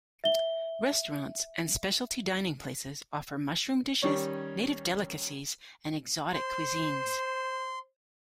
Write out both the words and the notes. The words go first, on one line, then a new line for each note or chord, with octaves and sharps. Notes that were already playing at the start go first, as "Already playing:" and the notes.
Restaurants and specialty dining places offer mushroom dishes, native delicacies and exotic cuisines.
E5 G7
D#3 G3 C#4 C#5
C5 C6